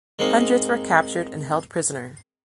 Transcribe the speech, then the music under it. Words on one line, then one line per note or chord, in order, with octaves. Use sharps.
Hundreds were captured and held prisoner.
G#3 A#3 C4 D#4